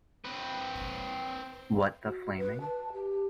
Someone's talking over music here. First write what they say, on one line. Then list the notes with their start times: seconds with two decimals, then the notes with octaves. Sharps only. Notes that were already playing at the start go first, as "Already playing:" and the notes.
What the flaming.
0.25 C4 B4
2.05 F#4
2.38 B4
2.61 A5
2.93 G4